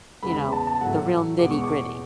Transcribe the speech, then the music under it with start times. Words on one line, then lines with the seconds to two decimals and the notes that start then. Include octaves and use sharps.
you know, the real nitty-gritty?
0.23 E2 C#3 G#3 B3 B5
0.52 A5
0.67 A5
0.81 A2 F#3 A3 E4 F#5
1.39 E2 B2 G#3 D6
1.51 C#6
1.64 D6